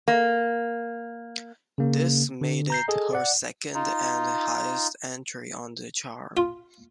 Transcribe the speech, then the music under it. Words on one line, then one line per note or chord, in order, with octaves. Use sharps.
This made it her second and highest entry on the chart.
A#3
C#3 A#3
D3
A#5 G6 C7
G#4 A4 D#5
D5 F#5
D#4 F4
F4